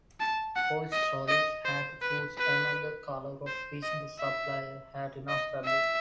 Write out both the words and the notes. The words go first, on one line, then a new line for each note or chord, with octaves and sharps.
Coach Solis had to choose another color of which the supplier had enough fabric.
A5
F#5
D#5
D#5
C5
B4
B4
C5
D#5
E5
D#5
E5